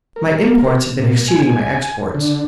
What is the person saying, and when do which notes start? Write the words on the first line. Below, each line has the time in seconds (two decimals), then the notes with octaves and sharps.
My imports have been exceeding my exports.
0.16 A#4
0.99 A#2
1.28 G#5
1.50 G#5
2.15 D3